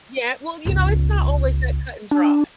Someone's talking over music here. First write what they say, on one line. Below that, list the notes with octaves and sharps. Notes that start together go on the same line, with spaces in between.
Yeah, well, you know, it's not always that cut-and-dry.
G1 C#2
D4